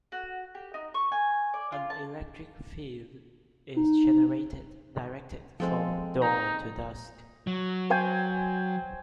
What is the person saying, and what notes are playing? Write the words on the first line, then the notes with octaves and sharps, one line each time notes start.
An electric field is generated, directed from dawn to dusk.
F#4
G4
D#4
C#6
G#5
D5
F4
A5
D#4
F3 G#3 C4 A4
D#4 A#5
F#3
C5 G5 G#5